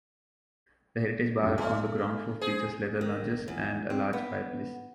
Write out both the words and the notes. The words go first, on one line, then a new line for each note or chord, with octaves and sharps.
The Heritage Bar on the ground floor features leather lounges and a large fireplace.
C#2 G2
A3 G#5 C6 F6
G#4 C5
D#3
E2
C4
B3